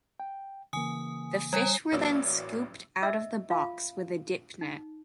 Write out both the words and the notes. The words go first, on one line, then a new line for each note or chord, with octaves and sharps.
The fish were then scooped out of the box with a dip net.
G5
C#3 E3 A#3 G#5 D#6
G3 C#5 G#5
A1 F#3 A#3 C#4 D5 E6
D#5 E5 E6
F4 F5
D#4